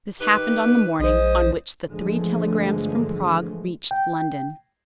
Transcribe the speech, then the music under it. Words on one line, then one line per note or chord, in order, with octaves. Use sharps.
This happened on the morning on which the three telegrams from Prague reached London.
D#3 G4 B4
A#1 G#3 C5 D#5
G2 D3 E3 F3 G#3 A3
G5